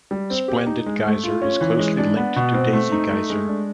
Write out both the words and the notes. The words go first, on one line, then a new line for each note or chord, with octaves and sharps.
Splendid Geyser is closely linked to Daisy Geyser.
G3
C4
G4
D#4
G#3
A3
F4
C#4
E3
G#3
D4
B3
B2
C4
A3
D#4
A3
G#3
D4